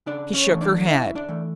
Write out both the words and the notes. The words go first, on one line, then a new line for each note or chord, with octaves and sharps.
She shook her head.
C#3 D4 D5
C#4 C#5
E3 A3
D4 D5
C#3 E4 E5
D4 D5
E3 A3